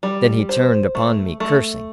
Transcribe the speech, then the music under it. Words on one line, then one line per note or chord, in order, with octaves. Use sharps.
Then he turned upon me cursing.
G3
C5
A3
A3